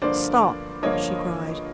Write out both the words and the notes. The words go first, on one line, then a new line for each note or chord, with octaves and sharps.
"Stop!" she cried.
G2 D3 F3 A#3 C5 D5
G2 D3 F3 A#3 C#5 D#5